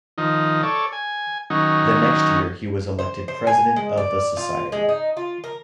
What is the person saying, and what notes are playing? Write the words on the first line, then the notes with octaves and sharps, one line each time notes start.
The next year he was elected President of the Society.
D#3 F3 D#4
A4 C#5 D5
G#5
D#3 F#3 C#4 D#4
C5
C5
G#5
G#3
D5
F4
G#3
D#4
F4
A#4